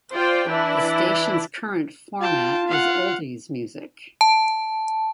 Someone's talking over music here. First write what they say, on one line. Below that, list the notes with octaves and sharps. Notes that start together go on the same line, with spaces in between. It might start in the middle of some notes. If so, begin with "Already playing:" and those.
The station's current format is oldies music.
F4 C5 D5 G5
E3 D4 E4
F4 G5 A5
F5 F#5
A5